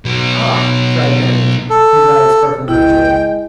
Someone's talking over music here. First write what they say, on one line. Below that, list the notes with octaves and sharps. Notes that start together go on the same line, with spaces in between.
"Ah," cried Benedetto, his eyes sparkling with joy.
B2 F#3
A4
G#1 C#2 G#3 E4 G5